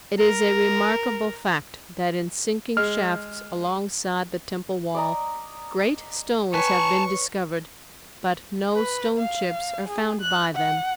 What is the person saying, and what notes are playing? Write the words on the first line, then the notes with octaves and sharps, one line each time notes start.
It is a remarkable fact that in sinking shafts alongside the temple wall, great stones have been discovered but no stone chips are found by them.
A#4
G#3 F6
D5 D#5 A#5
B4 C#5 G#5 A5 C#6
B4
F5
G#4
F#6
F#5